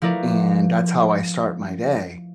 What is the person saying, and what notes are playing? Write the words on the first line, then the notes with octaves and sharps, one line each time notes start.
and that's how I start my day.
F3 A3 E4 A#4 B4 D5